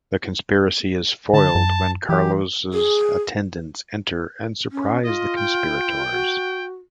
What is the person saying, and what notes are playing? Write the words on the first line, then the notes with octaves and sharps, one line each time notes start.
The conspiracy is foiled when Carlos's attendants enter and surprise the conspirators.
D3 A5
F#2
E3 G4
G#4
C#4
F4 D#5
G5
F#4